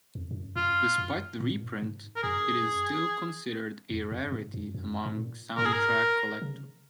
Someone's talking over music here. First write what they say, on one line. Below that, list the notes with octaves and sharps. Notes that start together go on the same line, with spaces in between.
Despite the reprint, it is still considered a rarity among soundtrack collectors.
F2
G#2
F#2
F#2 F4
F#2
A#2
G#2
A#2
G#2
A#4
F#2 G#4
F2
F#2
G#2
F#2
F#2
G#2
A#2
G#2 A#4
G#4
A#4
C#3